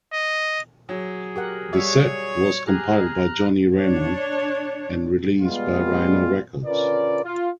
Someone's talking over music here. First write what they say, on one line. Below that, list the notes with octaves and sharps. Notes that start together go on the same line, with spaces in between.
The set was compiled by Johnny Ramone and released by Rhino Records.
D#5
F#3 G#4
G4 A#4 F#5
G3 F#4 C#5 E5
G4 G#4 A#5 F6 F#6
D4 C#5
G3 G#3 B3 F4
D3 C#4 F4 A#4 B4 D5
F4